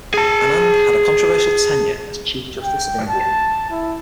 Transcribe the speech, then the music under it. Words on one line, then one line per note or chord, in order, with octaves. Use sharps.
Anand had a controversial tenure as Chief Justice of India.
G#4 A5
G5
A5
E4